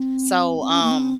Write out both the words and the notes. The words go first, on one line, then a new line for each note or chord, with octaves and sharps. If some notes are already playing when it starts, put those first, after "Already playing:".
so, um,
Already playing: C4
C4
C#4
A#3
C4